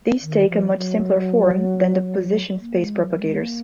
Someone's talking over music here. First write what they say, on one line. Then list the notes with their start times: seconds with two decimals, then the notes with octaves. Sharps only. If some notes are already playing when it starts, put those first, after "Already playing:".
These take a much simpler form than the position space propagators.
0.22 D#3
0.49 F3
0.75 F#3
2.61 A#3
2.80 G#3
3.01 F#3
3.20 G#3
3.40 A#3